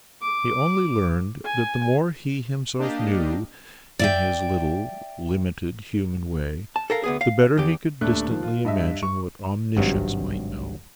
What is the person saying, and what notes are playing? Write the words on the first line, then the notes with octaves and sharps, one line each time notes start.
He only learned that the more he himself knew, in his little limited human way, the better he could distantly imagine what Omniscience might know.
D6
G#5
A#3 D4 G4 D#5 F5
D5 E5 G5
A5
A4 A#4 F5
D2 B3 G#4
F5
E2 G4
D#1 A3 D4 F#6
D#3 F3
F4
G2 D#5 E5
C#6
G#1 G2 C3 F#3